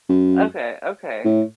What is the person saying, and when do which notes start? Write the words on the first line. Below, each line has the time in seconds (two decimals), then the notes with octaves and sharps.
Okay, okay,
0.09 F#2
1.25 A2